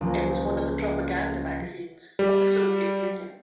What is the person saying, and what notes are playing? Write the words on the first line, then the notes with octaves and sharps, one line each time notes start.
It was one of the propaganda magazines of the Soviet Union.
C#2 F3 A#3
G3